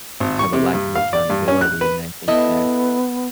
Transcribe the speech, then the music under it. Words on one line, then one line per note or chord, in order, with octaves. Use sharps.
have a lack of accountability, and I think that
G#1
C#6
C3
G2
F5
D5
G2
C#4
F#6
B4
B3 E4 A4 D#5